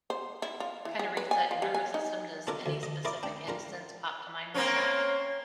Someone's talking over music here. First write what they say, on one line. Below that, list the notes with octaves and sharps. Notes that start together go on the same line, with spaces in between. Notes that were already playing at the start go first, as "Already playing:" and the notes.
kind of reset your nervous system? Does any specific instance pop to mind like that?
C5
E4
F4
E3
G#4
B4
G#5
F4
G3
G#5
D#4
D4 F4 A4 A#4 D5 F#5
D2
D#5
E4 A#4 D5 D#5 D6
D4 G5
D4 F4 A#4
A#3 C4 C#4